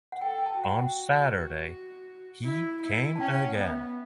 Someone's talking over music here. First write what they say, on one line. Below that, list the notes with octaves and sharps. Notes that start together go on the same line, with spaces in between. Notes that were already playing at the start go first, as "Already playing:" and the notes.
On Saturday he came again.
F#5
A4 G5
G5
A5
F#4 F#5
G5
E4
E4
A5
C#4 G5
F#5
B3
E5